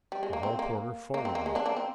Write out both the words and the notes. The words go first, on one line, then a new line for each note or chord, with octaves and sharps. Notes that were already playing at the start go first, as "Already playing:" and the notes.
The hall porter followed me.
G3
G#3
A#3
C4
A#3
A#3
C4
A#3
G#3
A#3 D4
A#3 D4
C4